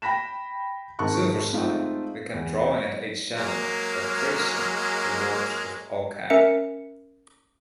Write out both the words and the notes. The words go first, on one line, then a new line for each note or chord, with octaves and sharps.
Silverstein began drawing at age seven by tracing the works of Al Capp.
G5 B5 A#6 B6 E7
G#1 G#2 A#4 A5 C#6 F#6
G#3 A3 C4 D#4 F4
E2
F#3 G#3 A#3
C#4 A#4 E5 C#7